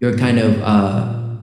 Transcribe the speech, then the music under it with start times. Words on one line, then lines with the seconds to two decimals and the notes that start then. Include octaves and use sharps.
you're kind of, uh,
0.12 G#2
0.52 G2
0.93 A#2